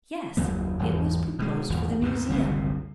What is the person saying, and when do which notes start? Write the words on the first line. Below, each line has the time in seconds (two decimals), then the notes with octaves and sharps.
"Yes; it was proposed for the Museum."
0.37 F#1 D#2 F#3 A#3
0.79 F#1 E2 G#2 E3
1.39 B2 G#3
1.70 D#1 G#1 E2
2.02 D#2 G#2 C3
2.29 F#1 C2 B2 D3